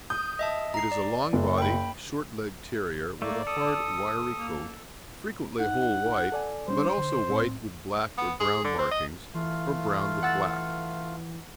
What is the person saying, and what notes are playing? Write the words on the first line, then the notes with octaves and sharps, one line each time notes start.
It is a long-bodied, short-legged terrier, with a hard, wiry coat, frequently whole white, but also white with black or brown markings or brown with black.
D#6 G6
D#5 E5 A5
A#5 C7
D5
F#1
G5 B5
A3 A#3 D5
A4 D#6
A#3
D#4 F#5
A4 D5 G#5
G3 C#4 D4 C5
D3
A2 C4
B3
G#4
D3
C4
D#5
E3 A3 F4 F5
F#5 E6 A6